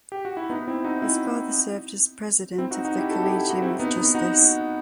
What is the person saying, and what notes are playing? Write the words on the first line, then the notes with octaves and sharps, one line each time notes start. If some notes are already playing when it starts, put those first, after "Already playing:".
His father served as president of the Collegium of Justice.
G4
F#4
E4
B3 D#4
C4 E4
D#4 F#4
C4 E4
C4 E4
D#4 F#4
D#4 F#4
E4 G4
F#4 A4
E4 G4
E4 G4
D#4 F#4
C4 E4
B3 D#4
B3 D#4
D#4 F#4